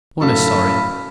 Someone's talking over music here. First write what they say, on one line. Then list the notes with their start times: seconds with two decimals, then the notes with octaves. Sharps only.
One is sorry.
0.22 F#2 A2 A4 F5 B5